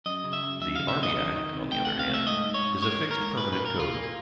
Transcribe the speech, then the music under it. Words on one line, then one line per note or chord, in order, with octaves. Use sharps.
The Army Act, on the other hand, is a fixed permanent code.
F#2 D#5
C#3
E5
F#2
F#2 E5
C#3 F5
E5
F#2 D#5
D#3
D#3
C3
A3 G5
C3 F#5
F5
A3 E5
G#2 D#5
G#2
C#5
G#2
A#3 C#5
A#3
A#4
G#2
A#2 B4
A#3 B4
A#4
A#2
F4
A#3